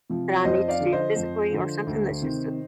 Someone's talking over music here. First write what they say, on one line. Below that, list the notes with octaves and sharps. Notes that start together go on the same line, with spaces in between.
that I need to do physically or something that's just,
C3 F3
F2 C5 D#5
D5 F5
D3 F3
C5 D#5
F2
D3 F3
D2
C3 D#3